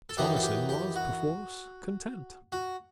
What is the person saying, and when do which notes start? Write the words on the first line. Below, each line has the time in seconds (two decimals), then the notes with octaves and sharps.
Thomasin was perforce content.
0.09 A4
0.17 F#2 E3 B3 D#4 G4
0.36 A4
0.43 G4
0.69 G4
0.96 F#4
2.52 F#4